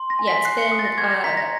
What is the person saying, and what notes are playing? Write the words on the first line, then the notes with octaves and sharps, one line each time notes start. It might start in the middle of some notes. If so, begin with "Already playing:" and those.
yeah, it's been, uh
Already playing: C6
A#6
G#5
B6
B6
F#6 C7
C#7
D#6
A6
A#6
C#6 G#6
A#6
A#5 B6
A#6